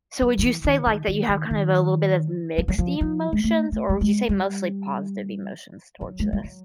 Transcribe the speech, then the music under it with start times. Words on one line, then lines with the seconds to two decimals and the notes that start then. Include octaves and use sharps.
So, would you say, like, that you have kind of a little bit of mixed emotions, or would you say mostly positive emotions towards this?
0.21 F#3
0.39 F3
0.43 E3
0.65 D#3
0.87 D#3
1.08 D#3
1.29 D#3
1.51 D#3
2.58 F3
2.68 F#3
2.78 F3
3.01 F3
3.33 G#3
3.44 A3
3.72 A3
3.89 G3
4.01 G#3
4.29 G3
6.01 F#3
6.20 G#3
6.33 G3
6.44 F#3